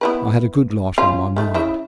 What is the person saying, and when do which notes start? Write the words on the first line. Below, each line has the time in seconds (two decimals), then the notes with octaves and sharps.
I had a good lot on my mind.
0.01 B3 E4 B4
0.98 C#4 F4
1.36 D#3 A3
1.54 C#3 E4 E5